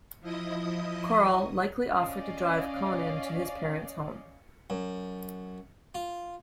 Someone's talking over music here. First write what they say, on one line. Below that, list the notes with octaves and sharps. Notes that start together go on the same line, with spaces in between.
Corll likely offered to drive Konen to his parents' home.
F3 E4 D#5 D#6
C#4 D5 D#5 F5
F#2
F4